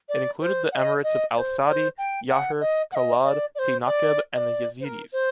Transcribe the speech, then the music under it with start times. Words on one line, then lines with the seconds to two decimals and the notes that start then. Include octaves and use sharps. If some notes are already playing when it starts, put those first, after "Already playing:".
It included the emirates of Al Saadi, Yaher, Kalad, Thi Nakheb and the Yezidis.
0.09 D5
0.41 C5
0.71 F#5
0.75 D#5
1.03 D#5
1.35 D5
1.38 C5
1.66 D5
1.70 C5
1.98 G5
2.29 F#5
2.60 D#5
2.92 F#5
2.95 D#5
3.23 D#5
3.28 D5
3.55 D5
3.59 C5
3.86 D5
4.34 D#5
4.37 D5
4.80 C5
4.84 A#4
5.12 C5